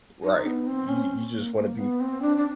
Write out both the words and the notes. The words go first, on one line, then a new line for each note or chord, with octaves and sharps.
Right, you you just wanna be
D#4
B3
C4
C#4
A#3
A#3
B3
C4
D4
D4